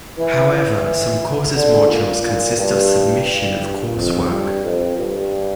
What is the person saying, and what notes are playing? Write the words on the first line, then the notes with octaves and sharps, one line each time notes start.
However, some courses' modules consist of submission of coursework.
E3
E3
D3
A#2
A#2
G2
G2
F2
G2
F2
G2